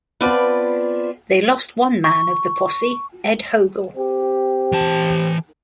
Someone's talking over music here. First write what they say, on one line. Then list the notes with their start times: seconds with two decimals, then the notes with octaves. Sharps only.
They lost one man of the posse, Ed Hogle.
0.21 B3 C4 F4 B4 D5 A5
2.04 C#6
3.97 C4 G4
4.72 E3 A5